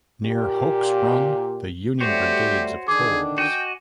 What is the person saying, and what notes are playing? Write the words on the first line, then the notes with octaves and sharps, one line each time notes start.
Near Hoke's Run, the Union brigades of Cols.
A#2 G4
G3 A3 F#4 G4 C5 C#5
D3 D#3 D4 G#4 D6
F#4 D#5 G5 G#5